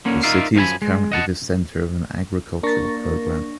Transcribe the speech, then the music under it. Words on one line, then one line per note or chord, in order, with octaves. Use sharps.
The city is currently the center of an agricultural program.
D3 A#3 C#4
D#4 F4 A#4 D5 E5 F5
F#2 F3 D#4 A#4 G#5 B5
G#3
D#5 F#5 A5
A#3 D4 A#4 C#6 A6 A#6